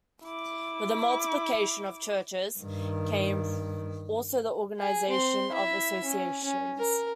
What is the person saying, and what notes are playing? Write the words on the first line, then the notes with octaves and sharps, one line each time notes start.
With the multiplication of churches came also the organization of associations.
E4 D6
G2 D#3
G#4
C4 C6
E4 E5
C#4
C#4
A#4